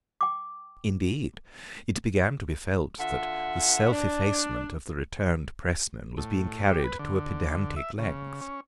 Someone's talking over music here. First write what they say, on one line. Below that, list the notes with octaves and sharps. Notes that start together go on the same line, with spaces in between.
Indeed, it began to be felt that the self-effacement of the returned pressmen was being carried to a pedantic length.
G5 D6
D3 F4 E5 F#5
D4
A2
G4
B4
D3
E5
C#3
C#4